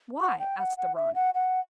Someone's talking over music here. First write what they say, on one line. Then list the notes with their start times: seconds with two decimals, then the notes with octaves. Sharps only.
'Why?' asked the ranee.
0.21 F#5
0.39 G5
0.58 F#5
0.77 F#5
0.96 E5
1.15 F#5
1.34 F#5